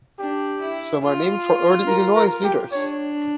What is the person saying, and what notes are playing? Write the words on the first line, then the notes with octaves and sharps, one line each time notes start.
Some are named for early Illinois leaders.
D4 G4
E4
F4
A#4
A#4
G4
D4 C#5